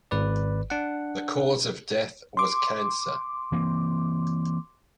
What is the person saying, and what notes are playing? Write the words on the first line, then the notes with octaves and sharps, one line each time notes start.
The cause of death was cancer.
G#1 B4 D5
D4 F#5
C6 D6
E3 A#3 C4